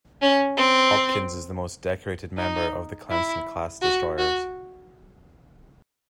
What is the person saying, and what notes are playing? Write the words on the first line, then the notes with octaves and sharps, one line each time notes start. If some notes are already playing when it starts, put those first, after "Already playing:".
"Hopkins" is the most decorated member of the Clemson-class destroyers.
C#4
C4
D#4
E4
F#4
F#4